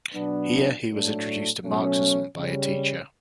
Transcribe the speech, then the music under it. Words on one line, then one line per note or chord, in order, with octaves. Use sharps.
Here he was introduced to Marxism by a teacher.
B2 F#3 B3 D4
A2 F#3 A3 D4
B2 F#3 A3 C#4
C#3 G3 C#4